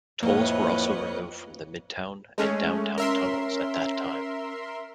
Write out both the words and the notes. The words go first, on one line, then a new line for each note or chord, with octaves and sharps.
Tolls were also removed from the Midtown and Downtown tunnels at that time.
F2 A2 A#3 B4 C#5 D#5
G#3 A3 C#4
C#4 A#4 E5 C6